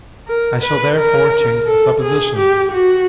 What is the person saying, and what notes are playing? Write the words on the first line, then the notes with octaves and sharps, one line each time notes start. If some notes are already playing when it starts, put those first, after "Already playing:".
I shall therefore change the suppositions.
A#4
B4
A#4
A4
G#4
G4
F#4